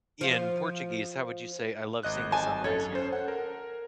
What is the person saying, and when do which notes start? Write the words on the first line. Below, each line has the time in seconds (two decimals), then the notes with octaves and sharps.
in Portuguese, how would you say, "I love seeing the sunrise here"?
0.21 F3 F4
2.03 G#1 D#5 F#6
2.32 G#5 A5
2.64 F#2 A4 C#5
2.92 C#4 C5
3.13 F#5
3.28 A#4